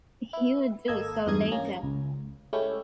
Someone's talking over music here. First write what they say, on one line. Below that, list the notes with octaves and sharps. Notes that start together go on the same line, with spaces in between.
He would do so later.
B3 E4
G#1 A#3 A4 D#5 E6 G#6
E2 G2 D#4 D#5 D#6 G#6
A#3 C#4 A#5
C#2
G#3 A3 C#4 E4 G4